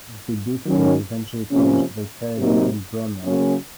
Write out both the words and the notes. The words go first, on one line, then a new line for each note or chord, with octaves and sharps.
The book was eventually published by Fedogan and Bremer.
D#3 F#3 C#4
C3 F3 A#3 C#4
C3 F#3 A#3 D#4
C#3 F#3 A#3 C#4